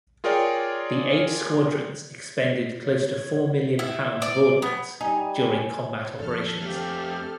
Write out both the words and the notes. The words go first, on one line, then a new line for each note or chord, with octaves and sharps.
The eight squadrons expended close to four million pounds of ordnance during combat operations.
F4 G#4 A#4 C#5 D5 G5
C#5
E4
D5
B3
G3 D#4 G#5
F2 D4 A4 F6
A3 C4 G4